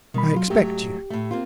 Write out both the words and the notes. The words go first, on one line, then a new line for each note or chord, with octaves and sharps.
I expect you.
B2 D#3 G3 B5
F#3 F4
G#2 F#3 A3 G4
A2 A3
A#3 C4 F4